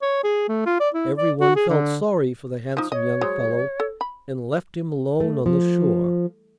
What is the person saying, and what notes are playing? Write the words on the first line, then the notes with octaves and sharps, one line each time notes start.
Everyone felt sorry for the handsome young fellow and left him alone on the shore.
C#5
G#4
A3
F4
D5
E4
D5
F#4
G#4
D3
F3 D#4
C#5 D#5
F#3 G#3 C5
A4
B5
A3
F3